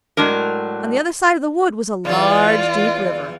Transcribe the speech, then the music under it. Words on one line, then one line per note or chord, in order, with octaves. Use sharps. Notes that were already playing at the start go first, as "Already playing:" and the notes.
On the other side of the wood was a large deep river.
A2 F#3 G#3 D4 A#4
E2 E3 F4 D5